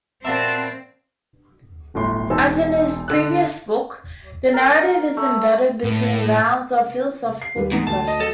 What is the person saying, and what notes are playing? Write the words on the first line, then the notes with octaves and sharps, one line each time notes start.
As in his previous book, the narrative is embedded between rounds of philosophical discussion.
A#2 C4 F#4 B4 E5 A5
D1 G1 A2 C6
E1 D#4 C5 G#5 A5 E6
D3 A4 E6 F#6
A#4
A3
A2
C7
D#2 G3 B4
A2 E3 G#3 B3 D#4
D2 A5
D#5
A4